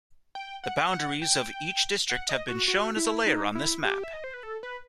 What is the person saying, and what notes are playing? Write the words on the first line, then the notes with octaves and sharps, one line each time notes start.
The boundaries of each district have been shown as a layer on this map.
G5
F#5
F#5
G5
F#5
D#5
F#4
F#4
E4
D#4
E4
G4
E5
D#5
C5
B4
A4
B4